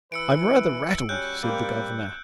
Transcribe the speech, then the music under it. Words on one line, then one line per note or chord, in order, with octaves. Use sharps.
"I am rather rattled," said the Governor.
E3 B4 E6 C#7 D7
G3 C#4 F#4 F#6 G6
G3 A#3 C4